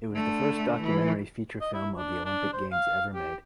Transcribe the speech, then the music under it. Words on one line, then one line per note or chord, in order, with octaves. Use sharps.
It was the first documentary feature film of the Olympic Games ever made.
D3 A3
E3
D#5
E4
D4
D4
C5
F5
G4